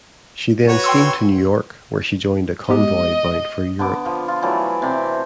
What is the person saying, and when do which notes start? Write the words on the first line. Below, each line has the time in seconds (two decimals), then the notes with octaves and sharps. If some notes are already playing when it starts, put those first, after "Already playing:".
She then steamed to New York where she joined a convoy bound for Europe.
0.68 F#4 B4 C#5
0.84 G5 C6 E6
2.70 G#3 B3 G4 D#5
3.79 D3 B3 D6
4.05 F3
4.28 F4
4.42 E3 F#3 A3 D5
4.82 C3 D5